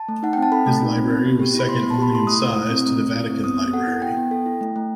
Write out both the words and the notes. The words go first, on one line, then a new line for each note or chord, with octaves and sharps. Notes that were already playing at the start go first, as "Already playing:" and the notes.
His library was second only in size to the Vatican Library.
Already playing: A5
A3
D#4 F#5
C4 G5
A5
A4 B5
A3
D#4
C4
B3
B3
G4
E4 B5
B3 C6
B3
A5
G4 B5
E4 C6
A3 D#6
A3
E4
C4
A3
A3
E4
C4
B3 D#6
B3
A4 F#5
E4
B3 G5
B3
A4
E4
A3
A3